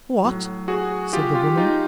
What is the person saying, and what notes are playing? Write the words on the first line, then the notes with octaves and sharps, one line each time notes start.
"What?" said the woman.
A2 F#3
F#4 G#4
F4 G4
F4 G4
D#4 F4